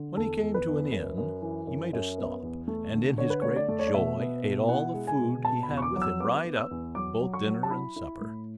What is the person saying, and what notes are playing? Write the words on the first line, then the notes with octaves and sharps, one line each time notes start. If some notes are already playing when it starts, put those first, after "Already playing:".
When he came to an inn, he made a stop, and in his great joy ate all the food he had with him right up, both dinner and supper.
Already playing: D3
E2 A4
E2
B4
E2
F#2 B4
F#2
E3
F#2
F#2
B3
E2
A3
D3
D3 C#5
B4
A3 C#5
D5
A3
C#5
D5
B2 E5
B3
B2
E4 F#5
G#3
G#5
B2
B2 A5
B5
E2
C#6
D6
F#3 D6
E6
B3 D6
B3
E6
E2
F#3 D6
F#3
C#6
F#3
A5
E4 B5
E4
A2